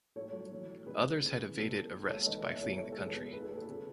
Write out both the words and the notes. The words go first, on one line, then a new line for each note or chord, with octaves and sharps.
Others had evaded arrest by fleeing the country.
A2 A4 C#5
F#3
E3
A3
C#3 G#4 B4
E3
C#3
E3
B2 A4
A3
D#3
G#3 A4 C#5
E3 B4 D#5
B3 C#5 E5
B2 A4 C#5
G#3
A4
E2 G#4 B4
B2
D#3 B4
A4
A3 G#4
A4
C#3